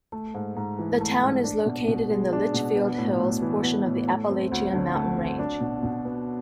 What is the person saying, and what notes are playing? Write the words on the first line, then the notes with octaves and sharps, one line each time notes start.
The town is located in the Litchfield Hills portion of the Appalachian mountain range.
A3
G#2
G#2
E3
A3
G#2
D4
B2
B2
G#3
D4
B2
B3
A2
A2
E3
B3
A2
A3
C4
D2
D3
A3
C4
D4
B2
B2
B3